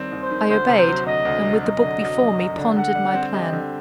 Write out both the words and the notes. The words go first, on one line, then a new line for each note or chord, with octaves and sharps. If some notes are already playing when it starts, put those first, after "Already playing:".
I obeyed, and with the book before me pondered my plan.
Already playing: D#2 D#3 G3 C4
D#2
C5
D#3
D2 C5
C3
C5
F#3
D2 D#5
D2
C3
F#2 D#5
D3
F#3
F#2
F#2
D3
D3 F#5
G3
C4
G4 D#5
D3